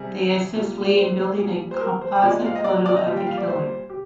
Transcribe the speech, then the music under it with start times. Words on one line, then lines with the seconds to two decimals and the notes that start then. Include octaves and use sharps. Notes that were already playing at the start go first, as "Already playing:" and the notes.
They assist Lee in building a composite photo of the killer.
Already playing: C3 G3 G#4
0.55 A#2 G3
0.86 D5
0.97 C5
1.39 A#2 G3 G#4
1.71 C5
1.81 A#4
2.01 C5
2.22 A#2 F3 G#3 D5
2.46 F5
2.55 D#5
2.64 D5
2.86 D5
2.96 D#5
3.06 A#2 G3
3.17 G5
3.27 F5
3.37 D5
3.48 C5
3.90 G4